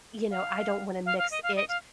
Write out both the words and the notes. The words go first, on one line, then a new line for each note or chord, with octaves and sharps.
y you know, I don't wanna mix it
F5
F5
F5
D#5
F5
D#5
F5